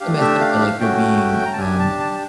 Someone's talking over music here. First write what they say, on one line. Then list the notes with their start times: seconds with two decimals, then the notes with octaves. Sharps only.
not messed up, but, like, you're being, um,
0.01 A3 D4 G4 F5
0.21 E5
0.41 F5
0.61 F5
0.80 A3 C#4 F#4 G5
1.45 A#5
1.53 A5
1.60 D4 G4 G#5
1.79 A5
1.99 A5